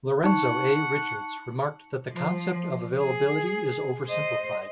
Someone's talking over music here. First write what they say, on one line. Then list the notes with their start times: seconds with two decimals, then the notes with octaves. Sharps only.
Lorenzo A. Richards remarked that the concept of availability is oversimplified.
0.24 D#4 F#5 A5 C#6
2.12 F3
3.00 G#4
4.07 C5 D#5